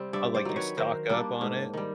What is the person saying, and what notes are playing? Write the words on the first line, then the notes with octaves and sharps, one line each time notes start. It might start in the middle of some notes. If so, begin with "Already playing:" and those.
Oh, like, you stock up on it?
Already playing: C3 G3 C4
G2 D5 E5
C5 D5
D#3 F#3
B4 C#5
D#3 A#4 C5
G3 A#3 D4
G#2
D#3 G3